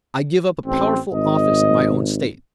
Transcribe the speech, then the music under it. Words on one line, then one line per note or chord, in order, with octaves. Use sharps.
I give up a powerful office in my own state.
A1 C4
G#1 D#5